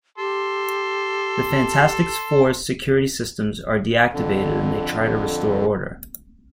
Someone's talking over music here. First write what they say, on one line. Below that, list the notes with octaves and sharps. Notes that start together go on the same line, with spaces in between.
The Fantastic Four's security systems are deactivated and they try to restore order.
G4 A4 C6
F2 D3